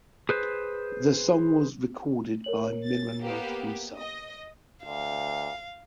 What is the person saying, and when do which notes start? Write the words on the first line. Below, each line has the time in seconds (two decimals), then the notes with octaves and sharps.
The song was recorded by Mironov himself.
0.29 G#4 B4 C5
2.44 A#4 C#5 F#7
2.84 A6
3.23 A#3 B3 G4
3.97 D#5
4.85 D2 F5